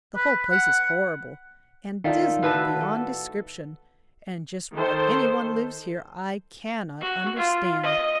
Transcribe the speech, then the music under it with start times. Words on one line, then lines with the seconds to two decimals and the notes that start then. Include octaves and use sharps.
The whole place is horrible, and dismal beyond description, and just why anyone lives here I cannot understand.
0.16 B4
0.52 F#5
2.04 D#3 D#4 F4 A4 D5 E5 F5
2.43 A2 F#4 B4 A5 E6
2.81 A4
4.74 D#3 A4 C5
7.01 F#4
7.36 F4
7.83 D#5